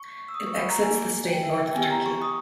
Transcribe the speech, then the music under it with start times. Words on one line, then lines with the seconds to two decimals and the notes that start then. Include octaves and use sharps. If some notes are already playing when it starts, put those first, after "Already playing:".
It exits the state north of Tarkio.
Already playing: C#6
0.29 E6
0.34 D#6
0.46 C#6
0.58 B5
0.70 A#5
0.81 A#3 D#4 G#4 G#5
1.28 G5
1.43 E5
1.59 G5
1.75 B3 E4 G4 G#5
1.90 A#5
2.06 C#6
2.22 D#6